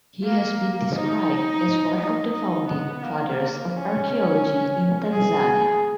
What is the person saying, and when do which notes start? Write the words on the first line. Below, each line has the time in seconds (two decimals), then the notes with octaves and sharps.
He has been described as "one of the founding fathers of archaeology in Tanzania".
0.24 A#3
0.94 D#4
1.98 D#4
2.33 D#4
2.68 B3
3.03 A#3
3.73 C#4
5.12 G#4